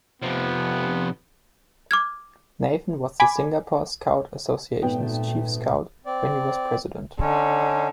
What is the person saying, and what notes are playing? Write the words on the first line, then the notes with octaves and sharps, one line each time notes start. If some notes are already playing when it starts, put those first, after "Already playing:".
Nathan was the Singapore Scout Association's Chief Scout when he was President.
C3 F3 B3
D6 F6 G#6
G#5 B5 D6 G#6 B6
G#1 A#2 A3 B3 G5
C4 D5
D3 C#4 D#4 C#5